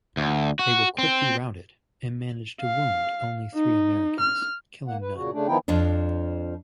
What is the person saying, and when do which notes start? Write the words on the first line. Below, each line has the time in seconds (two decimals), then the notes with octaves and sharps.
They were quickly routed, and managed to wound only three Americans, killing none.
0.17 D2
0.59 F#4
0.98 C4
2.61 F5
3.55 D#4
4.20 F6
4.87 A#3 F#5
5.01 B4
5.16 A#2 C#3 F#4
5.32 C#3 A3 D4
5.47 D#3 F3 B3 D#4 E4 G5
5.68 F2 F3 D4